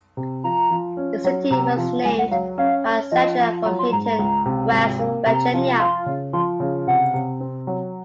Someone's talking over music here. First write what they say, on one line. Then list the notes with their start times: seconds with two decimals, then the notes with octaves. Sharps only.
The city was named by a settler from Hinton, West Virginia.
0.17 C3
0.44 F3 A#5
0.71 F3
0.97 C#4
1.24 F#3
1.50 C3 A#5
1.77 F3
2.04 C#2 G#5
2.19 F#5
2.31 F#3 F5
2.58 C#4 F5
2.85 C#4
3.11 F3 D#5
3.38 F3
3.65 F#3 A#5
3.79 C6
3.92 G#2 A#5
4.05 A#5
4.19 C#2
4.46 C3
4.72 G#1
4.99 A#3
5.26 C3 A#5
5.53 F3
5.79 F4 C6
6.06 C#3
6.33 F3 C6
6.60 C#3
6.87 C3 F#5
7.14 C3
7.40 C4
7.67 F#3